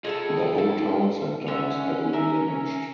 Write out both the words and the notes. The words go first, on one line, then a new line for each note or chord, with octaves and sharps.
The whole town centre was heavily damaged.
F4 G#4 A4 D#5 A5
A4
D3 C#4 E5
A#4 E5